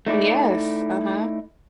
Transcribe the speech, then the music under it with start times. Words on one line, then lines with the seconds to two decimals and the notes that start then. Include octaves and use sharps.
Yes, uh-huh.
0.07 A3 D#4 E4 D5